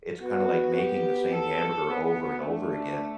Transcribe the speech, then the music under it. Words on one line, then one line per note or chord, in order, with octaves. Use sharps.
It's kinda like making the same hamburger over and over again.
B3 F#4
G4
A4
B3
A3 D4